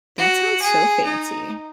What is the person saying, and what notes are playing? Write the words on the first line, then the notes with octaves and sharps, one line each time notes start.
That sounds so fancy.
F#4
G#4
D#4